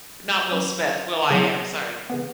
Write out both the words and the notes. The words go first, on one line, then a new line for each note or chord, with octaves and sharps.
not Will Smith, will.I.am, sorry.
F#3 C#4 E4
C#3 F#3 B3 E4 G#4
C#3 E3 B3